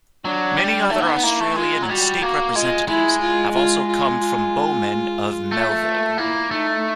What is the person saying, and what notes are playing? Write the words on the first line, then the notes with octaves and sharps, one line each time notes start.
Many other Australian and State representatives have also come from Bowmen of Melville.
F#3 D4
G3
A3 D#4
A#3
B3
A#3 E4
A3
G#3 F4
F#3
G3 F#4
A#3 F#4
G#3 F4
G#3 E4
F4
F4
F4
F4
A3
A#3 E4
A3 D#4